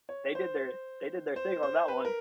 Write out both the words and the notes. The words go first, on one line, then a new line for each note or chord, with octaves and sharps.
they did their they did their thing on that one.
C#5
C5
C5
C5
B4
A#4